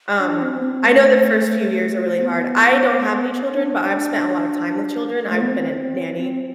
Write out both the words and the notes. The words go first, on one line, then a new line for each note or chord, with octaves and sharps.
Um, I know the first few years are really hard. I don't have any children, but I've spent a lot of time with children, I've been a nanny
D4
C4
B3
C4
A3
B3
D4
A3
B3
C4
C4